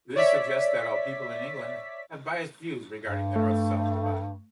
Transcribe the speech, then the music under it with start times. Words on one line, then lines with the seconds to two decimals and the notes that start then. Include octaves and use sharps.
This suggests that all people in England have biased views regarding the North-South divide.
0.16 C#5 D5 E5 B6
3.06 G2
3.36 A3